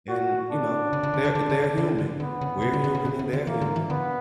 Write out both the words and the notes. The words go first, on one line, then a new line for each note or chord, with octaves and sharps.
and, you know, they're- they're human. We're human and they're human.
F#4
D4
C#3
C#3
D3
D3
D3
D3
C#3
C#3
D3
D3 B3
C#3
B2
D3
D3
C#3
B2
C#3
D3
E3 A#3
D3
E3
D3 B3